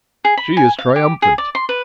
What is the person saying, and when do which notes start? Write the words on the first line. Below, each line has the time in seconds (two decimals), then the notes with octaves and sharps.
She is triumphant.
0.25 G#4
0.37 B5
0.57 G#5
0.78 F5
0.96 G4
1.22 G#4
1.38 D5
1.55 C6
1.69 B4